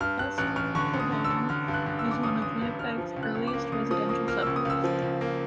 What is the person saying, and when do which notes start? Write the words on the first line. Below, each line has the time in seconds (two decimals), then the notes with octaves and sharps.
West Kildonan is one of Winnipeg's earliest residential suburbs.
0.01 G2 F6
0.19 G2 F#6
0.38 A1 F#6
0.56 A1 F6
0.75 D3 C#6
0.94 A1
1.00 D#6
1.12 D3
1.24 E6
1.31 A1
1.49 D3 F6
1.68 G2
1.74 F#6
1.86 D3
1.99 E6
2.05 A1
2.11 D6
2.23 A1 D#6
2.42 D3 D#6
2.61 G2
2.79 G2 F6
2.98 F3
3.16 C#2
3.23 F#6
3.35 C#2
3.47 D6
3.54 A#3
3.72 C#3 D#6
3.91 F3 D#6
4.09 A#3 D#6
4.28 A#3 F6
4.42 C#2 E6
4.56 D#6
4.65 C#2 E6
4.84 F3
5.02 C#2
5.21 A#3